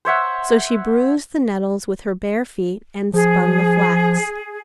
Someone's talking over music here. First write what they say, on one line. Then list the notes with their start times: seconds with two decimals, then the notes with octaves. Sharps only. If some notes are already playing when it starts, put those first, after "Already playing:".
So she bruised the nettles with her bare feet and spun the flax.
0.05 C5 C#5 E5 F#5
3.13 F3 G#4